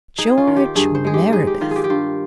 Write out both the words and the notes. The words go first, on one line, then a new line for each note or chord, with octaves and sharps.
George Meredith?
D#4 G#4
F4
D#3
G4
G2 G#4
C5
G#3 G#4
G4
D#4 G#4
G4
D#3 F4
G4 G#4
G4
G2 F4